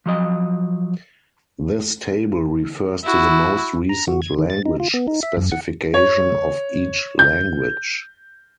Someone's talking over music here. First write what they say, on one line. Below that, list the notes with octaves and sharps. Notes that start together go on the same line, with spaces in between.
This table refers to the most recent language specification of each language.
F3 F#3 D#5
E4 F#4
A#5
F#4
G#6
D#3
A6
D#4
F4
B3
D#4
E5
F#2
F#5
C#5
G6